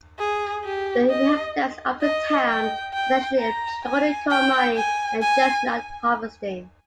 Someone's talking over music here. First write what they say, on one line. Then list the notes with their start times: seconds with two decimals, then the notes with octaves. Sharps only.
The inhabitants of the town are traditionally employed in coal mining and chestnut harvesting.
0.19 G#4
0.65 G4
1.10 D#5
2.02 D#5
2.48 G5
2.94 G5
3.39 A#5
3.85 G#5
4.30 G5
4.76 G#5
5.22 G#5